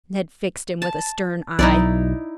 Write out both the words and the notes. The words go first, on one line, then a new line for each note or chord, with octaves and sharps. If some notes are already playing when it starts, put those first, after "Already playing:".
Ned fixed him with a stern eye.
A5
B1 D#4 E4 D5